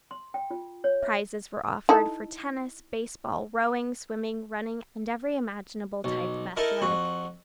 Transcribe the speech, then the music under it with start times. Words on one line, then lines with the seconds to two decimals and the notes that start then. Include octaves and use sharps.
Prizes were offered for tennis, baseball, rowing, swimming, running, and every imaginable type of athletic feat.
0.11 C6
0.34 G5
0.51 F4
0.84 C#5
1.03 E5
1.89 D#4 E4 A4
6.04 B1
6.57 D#4 E4 A4 A#4 D#5
6.82 F2 F#4